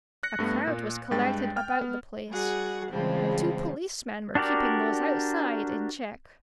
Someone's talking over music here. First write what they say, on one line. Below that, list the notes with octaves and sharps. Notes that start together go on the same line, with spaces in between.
A crowd was collected about the place and two policemen were keeping those outside in check.
F#6 A#6 C#7
G2 A3 B3
A#2
G2 G#3 G5 A6
G5 F6
B3
G3 F#4 G#4 F#5
C#3 E3 F3 G3 G#3 C4
D4 F#4 G4 A#4 D5